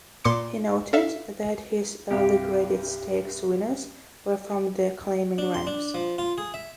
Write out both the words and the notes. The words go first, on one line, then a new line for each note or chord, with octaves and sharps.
He noted that his early graded stakes winners were from the claiming ranks.
A#2 C6 D6 C#7
A4 E5 F5
C2 G2 G4 F5
D4
C6
D4
F3
F4
G#4
E5